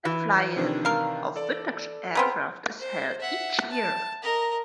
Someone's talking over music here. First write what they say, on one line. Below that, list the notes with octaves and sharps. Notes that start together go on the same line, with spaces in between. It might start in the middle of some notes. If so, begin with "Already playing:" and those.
A fly-in of vintage aircraft is held each year.
E3
C3 D#3 D4
A#4 F5
A4 D5
C#3 B3 C4 A#5
C5
E5 F#5
A5
A#4 D#5